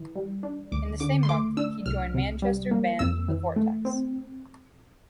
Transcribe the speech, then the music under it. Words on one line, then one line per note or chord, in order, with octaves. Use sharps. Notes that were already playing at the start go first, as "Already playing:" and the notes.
In the same month, he joined Manchester band The Vortex.
Already playing: E3
G3
D4
D2 D6
D3 D6
C6
A3 D6
D4 E6
C2 F6
C3
G3
A#3
F2 E6
E3
A3
C4